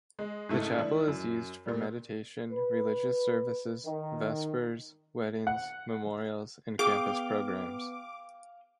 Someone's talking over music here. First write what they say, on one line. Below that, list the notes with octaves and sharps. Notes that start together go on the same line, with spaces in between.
The chapel is used for meditation, religious services, vespers, weddings, memorials and campus programs.
G#3
G#2 C#3 A3 E4
E3 D4 E4
F#2
A#2 G3
B4
D#3
F#5
B3 G#4 F5 G5 D6 D#6